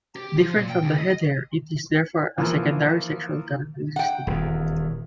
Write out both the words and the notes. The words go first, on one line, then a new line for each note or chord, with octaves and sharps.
Different from the head hair it is therefore a secondary sexual characteristic.
G4
F3
A#2
G5
C#2
D#5
E3 F3 A#3
F#5 G5
D#1 E2